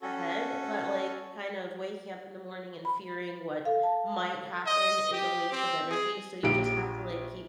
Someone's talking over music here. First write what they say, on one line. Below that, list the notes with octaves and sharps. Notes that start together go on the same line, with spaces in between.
ahead, but, like, kind of waking up in the morning, and fearing what might happen is a waste of energy, so you just have to, like, keep
C#4 F#4 A4
B5
A4 F5
A5
D#5
G4
C4
G#4
A#1 G4 D7